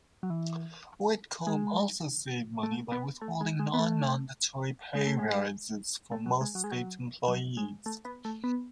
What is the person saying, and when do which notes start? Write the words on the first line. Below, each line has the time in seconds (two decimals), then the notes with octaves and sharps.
Whitcomb also saved money by withholding non-mandatory pay raises for most state employees.
0.23 F#3
0.30 E3
1.47 G#3
2.63 A3
2.92 B3
3.21 A3
3.41 G#3
3.59 G#3
3.74 B3
3.79 A3
4.95 G#3
5.07 A3
5.19 G#3
6.12 A3
6.26 F#3
6.41 G#3
6.55 F#3
6.64 G#3
6.71 F#3
7.28 F#3
7.57 G#3
7.86 A3
8.05 B3
8.25 A3
8.44 B3